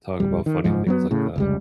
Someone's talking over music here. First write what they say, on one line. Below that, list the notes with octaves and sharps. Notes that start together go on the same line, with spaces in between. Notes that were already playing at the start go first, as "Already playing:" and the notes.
talk about funny things like that.
D1 G3
D#3
F#1 C2 G#2 F3
F#3 A3 B3
A2 C#3
F1 C#2 G3